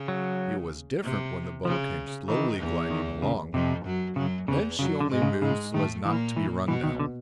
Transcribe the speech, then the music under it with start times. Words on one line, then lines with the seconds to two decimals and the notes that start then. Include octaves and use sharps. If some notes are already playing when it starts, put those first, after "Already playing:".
It was different when the boat came slowly gliding along; then she only moved so as not to be run down.
Already playing: C#3
0.08 F#3
1.03 C3
1.65 C#3 F3
2.28 D#3 E3
2.59 E2 E3
2.91 D#3
3.22 C#3
3.53 F2 C3 F3
3.85 F#2 F#3
4.16 F#2 C#3 F#3
4.48 E2 C#3 E3
4.79 F#2 C#3 F#3
5.00 D3
5.11 G#2 G#3
5.22 C#3
5.42 G#2 C#3 G#3
5.74 A2 D#3 A3
6.05 A#2 E3 A#3
6.37 E3
6.67 B2 E3 B3
6.83 D#3
6.99 D3